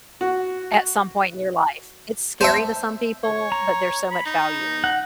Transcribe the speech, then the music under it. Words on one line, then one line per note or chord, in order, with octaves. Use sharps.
at some point in your life. It's scary to some people, but there's so much value in it.
F#4
B3 C5 E5 A5
C#5
A#5
B5
D#4
F#5